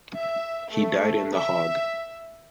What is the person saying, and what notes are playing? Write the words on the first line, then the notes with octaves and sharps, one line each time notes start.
He died in The Hague.
E5
A3
E5